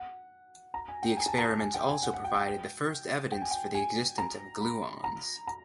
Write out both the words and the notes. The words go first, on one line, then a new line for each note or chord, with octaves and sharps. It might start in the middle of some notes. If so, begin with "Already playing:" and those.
The experiments also provided the first evidence for the existence of gluons.
Already playing: F#5
A#5
G#5
G5
G#5
A5
A#5
A5
G#5
G5
G#5
F#5
F#5
G5
G5
G5
G#5
G5
G#5
A#5
B5
A#5
A#5